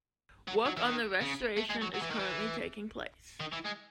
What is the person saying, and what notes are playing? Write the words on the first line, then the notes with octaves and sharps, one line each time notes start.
Work on the restoration is currently taking place.
F#3
F#3
E3
D#3
C#3
A3
G#3
F#3
F#3
E3
D#3
E3
D#3
E3
G#3